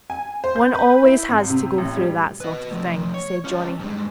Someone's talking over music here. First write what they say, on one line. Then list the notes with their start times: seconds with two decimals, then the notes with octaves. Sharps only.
"One always has to go through that sort of thing," said Johnny.
0.10 G#5
0.44 C5
0.56 G6
0.75 B4
1.04 E4
1.29 G#1
1.50 C3
1.78 A1
1.97 G3
2.41 B4 D#5
2.72 F3 A3
3.14 C#5
3.44 C#4 F4
3.79 G2 G#3